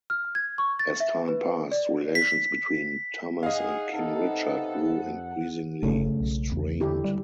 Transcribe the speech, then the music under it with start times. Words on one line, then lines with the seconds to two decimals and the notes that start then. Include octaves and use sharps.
As time passed relations between Thomas and King Richard grew increasingly strained.
0.10 F6
0.35 G#6
0.58 C#6
0.79 A6
1.00 E5
1.28 B4
1.71 D5
2.15 B6
3.43 D#4 G#4 D#5 F5 F#5
3.93 C3 B3 D#4 A4
5.03 F2
5.83 G1 C#3 A3
6.20 B1
6.52 E2
6.80 D3 E4 G4
7.04 G3